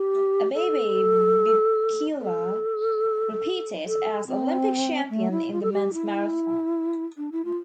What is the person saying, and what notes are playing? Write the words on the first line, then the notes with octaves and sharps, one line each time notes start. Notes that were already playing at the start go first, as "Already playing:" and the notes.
Abebe Bikila repeated as Olympic champion in the men's marathon.
Already playing: G4
A4
A4
A4
C4
A3
E4
F4
A4
G4
E4
D4
E4
F4